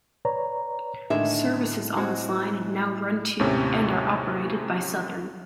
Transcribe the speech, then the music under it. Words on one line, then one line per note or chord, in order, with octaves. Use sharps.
Services on this line now run to and are operated by Southern.
B4 C#5 D5 A#5
A2 D3 D#3 G#3 E5
G#3 C4 F#4
D#2 A2 C3 C#4